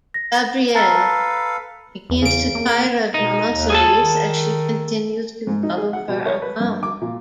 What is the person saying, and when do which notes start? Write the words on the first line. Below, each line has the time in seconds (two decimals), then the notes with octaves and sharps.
Gabrielle begins to tire of Mama Solis as she continues to follow her around.
0.14 A#6
0.75 A4 B4 F5 A5 A#5 A6
2.10 E2
2.22 C#3 D7
2.55 A#3
3.14 B2 D#4
3.49 D#2
3.70 G#4 A4 A5
3.98 D#3
5.47 G#2
5.63 D#4
5.77 G#4
5.93 F#5
6.08 B2
6.26 C#5
6.42 B4
6.60 G2
6.83 D6
7.02 A#2